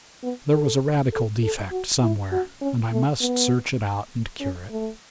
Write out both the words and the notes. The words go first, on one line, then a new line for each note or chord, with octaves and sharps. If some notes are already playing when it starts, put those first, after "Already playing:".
There was a radical defect somewhere, and I must search it out and cure it.
B3
A4
A4
A4
F#4
E4
F#4
C#4
A3
B3
C#4
A3